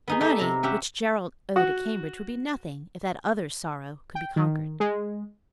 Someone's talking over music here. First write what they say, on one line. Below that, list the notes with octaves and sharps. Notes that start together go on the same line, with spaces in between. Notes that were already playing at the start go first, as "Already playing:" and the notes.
The money which Gerald owed at Cambridge would be nothing if that other sorrow could be conquered.
B3 D#4 G#4
D#4 G4 A4 E5
C3 A#5
C#4 G4 E5 F#5
F#4
G5
D#3
G#3